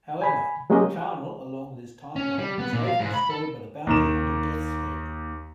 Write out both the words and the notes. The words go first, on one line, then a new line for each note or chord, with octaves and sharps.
However, Charnel along with his timeline was later destroyed by the bounty-hunter Death's Head.
G#5 B5
F#3 G#3 A#3 C#4 G4 D#5
C#4
G3
B3
A#2
F5
G#2
B5
A4
D#2 D#3 E7